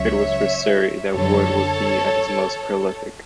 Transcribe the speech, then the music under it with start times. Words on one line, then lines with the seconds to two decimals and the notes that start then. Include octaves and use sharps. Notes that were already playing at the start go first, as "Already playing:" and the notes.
It was for Surrey that Wood would be at his most prolific.
Already playing: C#2 C#3 F#3 C#5 E5
1.12 F#2 D3 F#3 A4 C#5